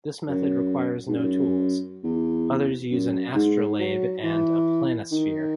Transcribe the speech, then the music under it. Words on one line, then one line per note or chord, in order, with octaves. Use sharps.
This method requires no tools; others use an astrolabe and a planisphere.
F#2
G#2
F#2
E2
F#2
G#2
F#3
E3
D#3